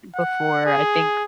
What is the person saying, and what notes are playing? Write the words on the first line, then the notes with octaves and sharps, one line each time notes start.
before, I think
F#5
G#4